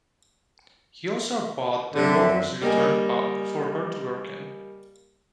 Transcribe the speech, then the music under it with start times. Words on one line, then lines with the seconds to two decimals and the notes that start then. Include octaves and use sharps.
He also bought the Rovers Return pub for her to work in.
1.95 F#2 D3 C4 E5
2.62 G3 A#3 D#5 G#5